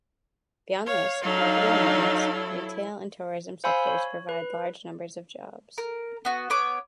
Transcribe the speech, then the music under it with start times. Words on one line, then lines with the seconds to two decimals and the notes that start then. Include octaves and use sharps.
Beyond this, property maintenance, retail and tourism sectors provide large numbers of jobs.
0.86 C#5 F5
1.23 F#3 D4 D#4 A4 F5
2.32 E4
3.64 C5 F5 G#5 B5 C6 E6
3.87 C#5
4.29 B4
5.78 A#4
6.25 B3 F#4
6.50 B3 C#5 D6